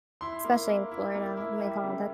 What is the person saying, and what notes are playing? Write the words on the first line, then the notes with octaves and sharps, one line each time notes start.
Especially in Florida, oh my God, that
E4 C6
A#3
A#3
E4
A#3
E4
G3
C#3